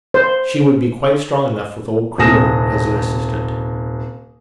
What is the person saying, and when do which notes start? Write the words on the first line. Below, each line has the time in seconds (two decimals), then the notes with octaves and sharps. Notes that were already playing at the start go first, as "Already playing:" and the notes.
She would be quite strong enough, with old Creedle as an assistant.
0.14 C5
2.18 D#1 C2 D#6 A#6 E7